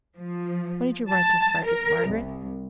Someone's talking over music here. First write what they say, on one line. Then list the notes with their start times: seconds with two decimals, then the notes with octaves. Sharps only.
'When did you write to Frederick, Margaret?
0.17 F3
1.10 A5
1.64 A#4
2.07 C2